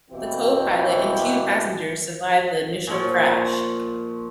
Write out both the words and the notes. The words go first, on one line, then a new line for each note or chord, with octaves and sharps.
The co-pilot and two passengers survived the initial crash.
B2 E3 A#3 C4 E4 G4
A#2 F3 C#5